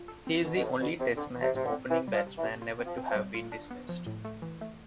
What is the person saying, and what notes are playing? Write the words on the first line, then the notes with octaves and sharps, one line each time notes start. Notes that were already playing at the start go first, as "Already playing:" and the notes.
He is the only Test Match opening batsman never to have been dismissed.
Already playing: F4
A4
C4
B2 E3
B2
A2 E3
B2 E3
C3 C4
D3 C4
E3
C3
A2 C3
D3
C4
C3 E3
G3
F3
C3
E3
C3
F4
C4
F3
C4
F3
G3
F4
D4
B3
F3
A2
A3
E3
A3